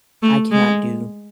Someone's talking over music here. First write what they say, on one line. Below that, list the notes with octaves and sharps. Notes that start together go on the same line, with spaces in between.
I cannot do
A3
G#3